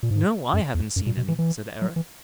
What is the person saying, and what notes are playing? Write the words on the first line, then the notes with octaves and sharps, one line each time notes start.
'No, I haven't seen any', said Eric.
A#2
G#2
F#2
E2
F#2
A#2
B2
E3
E3
F#3
E3